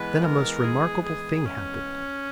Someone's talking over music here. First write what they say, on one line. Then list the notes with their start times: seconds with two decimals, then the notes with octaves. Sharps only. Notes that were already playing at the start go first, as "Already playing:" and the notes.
Then a most remarkable thing happened.
Already playing: E3 G#3 B3 B4
0.22 A#4
0.64 G#4
1.05 G#4
1.45 C#4